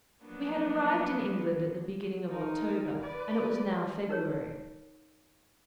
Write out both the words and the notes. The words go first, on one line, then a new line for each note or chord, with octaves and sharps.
We had arrived in England at the beginning of October, and it was now February.
F3 F#3 A#3 B3 D4
D#4 A#4
B4 D5
D#4 A#4 C#5